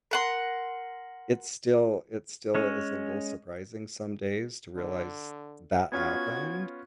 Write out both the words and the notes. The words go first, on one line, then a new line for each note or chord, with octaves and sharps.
it's still it still is a little surprising some days to realize that happened,
A#4 F#5 C6
G#3 C#4 C#5
D3
B3 C#4 F4 F#4 G#6